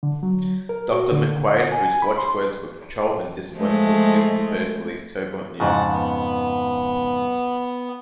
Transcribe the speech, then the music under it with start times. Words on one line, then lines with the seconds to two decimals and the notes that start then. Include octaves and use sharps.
Doctor McQuaid, whose watchwords were control and discipline, was ill-prepared for these turbulent years.
0.03 D3
0.23 F#3
0.69 A#4
0.93 F#4
1.12 D3
1.47 F#5
1.72 G#5
1.85 G#5
2.02 B5
2.18 C6
3.55 F3 G#3 A3
5.60 F2 G#2 C#3 F#5 A5
5.91 B3